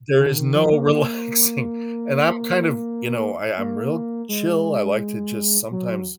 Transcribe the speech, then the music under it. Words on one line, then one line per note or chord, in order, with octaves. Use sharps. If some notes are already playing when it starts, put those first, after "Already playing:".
There is no relaxing, and I'm kind of ,you know, I I'm real chill, I like to just sometimes
D3
D#3
F3
A#3
A#3
G#3
F#3